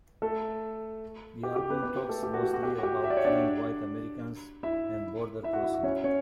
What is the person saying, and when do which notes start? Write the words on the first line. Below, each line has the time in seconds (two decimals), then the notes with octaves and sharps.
The album talks mostly about killing White Americans and border crossing.
0.22 A3 A4
1.43 G4
1.56 G4
1.70 B3 B4
1.83 B3 B4
1.96 G4
2.09 A3 A4
2.23 G4
2.34 F#4
2.43 G4
2.54 F#4
2.63 G4
2.78 F#4
2.83 G4
3.04 E5
3.10 D5
3.17 C#5
3.25 D4 D5
4.63 E4 E5
5.43 E4 E5
5.53 F#4 F#5
5.64 E4 E5
5.74 F#4
5.83 C#4 C#5
6.04 C#4 C#5